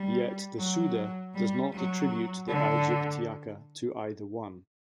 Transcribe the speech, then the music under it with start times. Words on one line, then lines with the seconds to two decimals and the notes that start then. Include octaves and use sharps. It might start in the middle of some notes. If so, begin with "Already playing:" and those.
Yet the Suda does not attribute the "Aegyptiaca" to either one.
Already playing: G3
0.57 F#3
1.34 G3
1.73 F#3
2.48 D3